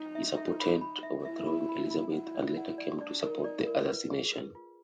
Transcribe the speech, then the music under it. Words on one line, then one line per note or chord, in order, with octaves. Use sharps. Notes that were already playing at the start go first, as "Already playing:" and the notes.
He supported overthrowing Elizabeth and later came to support the assassination.
Already playing: D#4
E5
E5
B5
B5
E5
E4 E5
B5
B5
B5
E4 F#5
D5
F#5
D5
D4 D5
A#4
D#4
D5
E4
A#4
B4
G#4
B4
F4